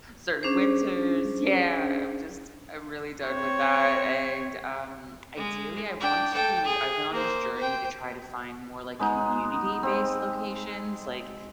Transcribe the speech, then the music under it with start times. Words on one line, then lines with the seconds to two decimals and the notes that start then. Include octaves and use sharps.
certain winters Yeah. I'm just I'm really done with that, and, um, ideally, I want to I've been on this journey to try to find more, like, community based locations. Like,
0.43 C#4 D4 G#4 C5
3.25 C4 C#5
5.36 G#3
6.00 D4 G5
6.34 A4 G5
6.64 G#4
7.12 A#3 C5
7.56 C5 G5
8.99 G#3 B3 D#4
9.83 C4